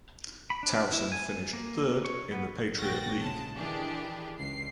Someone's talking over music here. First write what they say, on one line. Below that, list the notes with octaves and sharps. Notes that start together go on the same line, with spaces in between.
Towson finished third in the Patriot League.
B5
D4
E4
G#5
A#3
C#5
B3
A#1 F#4 G5 A6 A#6
C#3 G#3 A5
D#3 E3 D4 G4 G#4
C#2 C7